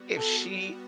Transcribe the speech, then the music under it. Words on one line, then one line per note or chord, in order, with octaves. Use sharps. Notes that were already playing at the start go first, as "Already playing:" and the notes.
if she
Already playing: G3 B3 F#4
A4